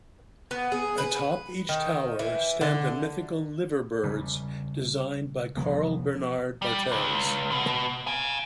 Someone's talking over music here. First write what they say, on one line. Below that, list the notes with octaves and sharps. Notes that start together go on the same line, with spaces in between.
Atop each tower stand the mythical Liver Birds, designed by Carl Bernard Bartels.
B3
G#4
B4
D#3
E3
D3
C#3 G3
C3 F3 G3 B3
G3
C#2
B2
F5 G#5